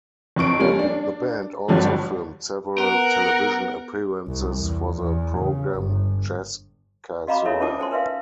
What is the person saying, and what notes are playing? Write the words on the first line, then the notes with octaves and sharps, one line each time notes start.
The band also filmed several television appearances for the program "Jazz Casual".
F#1 F2 C#6 D7
F3 G3 A#3 C#4
D4
G1 G2 D3 F3 F#3
B3 A#4 F#5
C2
E2
E2
C#3
G1
F#4 D#5 F5 A#5 B5 D6
D#4 F4 A4 A#4 C#5 E5
C#4 D#4 F4 A5 D6 D#6
C5 G#5 C6
A#4 B4 E5 F5